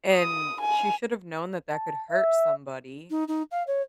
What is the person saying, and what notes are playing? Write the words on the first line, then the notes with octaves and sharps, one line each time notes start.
And she should’ve known that that could hurt somebody,
D#6
G#5
A5
E5
D#4
D#4
F5
C#5